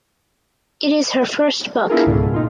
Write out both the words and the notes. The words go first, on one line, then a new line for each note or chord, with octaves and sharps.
It is her first book.
B3 D4 E4 F4 G#4 A#4
C#2 G#2 B2 D3
A#2 D#4 F4